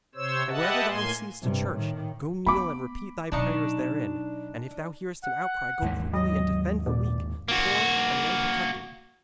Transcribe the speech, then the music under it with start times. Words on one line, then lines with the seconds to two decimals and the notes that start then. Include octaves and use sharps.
And wherever thou seest a church, go kneel and repeat thy prayers therein; and if thou hearest an outcry, go quickly and defend the weak, the poor and the unprotected.
0.15 C3 C5 C#5 E6
0.48 G4 B4 D#5 E5 F#5 A5
0.87 A2 A#3 G#5 C6
1.42 G2 C3
1.75 A2 D#3
2.46 A3 B3 B5 D6
3.32 B2 F#3 D4 D#4 C#6
5.24 F#5
5.82 D#2 G#2 E3
6.13 F#3 D#5
6.86 A#2 D5
7.48 A#3 F#4